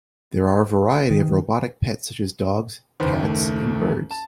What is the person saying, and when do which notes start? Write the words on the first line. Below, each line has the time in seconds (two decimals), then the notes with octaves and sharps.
There are a variety of robotic pets such as dogs, cats, and birds.
1.10 D#3
3.00 F#1 D#2 B4 C5
3.23 A3
4.11 A5